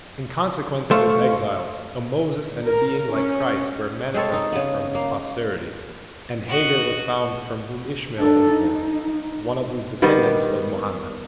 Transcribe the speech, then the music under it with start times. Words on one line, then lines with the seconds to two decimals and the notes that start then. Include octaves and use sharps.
In consequence of His exile a Moses and a being like Christ were manifested from His posterity, and Hagar was found from whom Ishmael was born, one of whose descendants was Muhammad.
0.91 A3 C5 F5 C#6
2.65 A#4
3.10 C#4
4.14 G#3 C4 A4 C#5
4.32 D#4 A4
4.52 C#3 B3
4.95 A#3
6.48 F#4 D#5
8.17 D4 A4
8.51 D#4
10.02 D#3 G3 B3